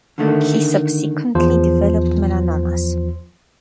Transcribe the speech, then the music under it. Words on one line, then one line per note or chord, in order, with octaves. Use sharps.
He subsequently developed melanomas.
D3 D#3 A3
E2 F3 C5